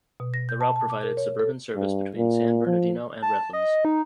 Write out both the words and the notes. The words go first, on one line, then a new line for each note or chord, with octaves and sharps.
The route provided suburban service between San Bernardino and Redlands.
B2
A#6
G6
A5
A5
D6
A#4
C#5
A4
G2
A#2
F3
A5
D#5
D#4